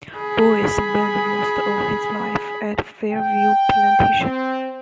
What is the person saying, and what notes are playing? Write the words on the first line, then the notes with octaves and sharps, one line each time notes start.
Bowie spent most of his life at Fairview Plantation.
G#4 B5
G5
C4